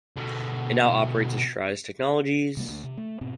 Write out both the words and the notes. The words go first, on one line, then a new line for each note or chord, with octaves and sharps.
It now operates as Stratus Technologies.
B2 D3
C3 G3 A#3
D2
C3
A3
G#2 B2 C4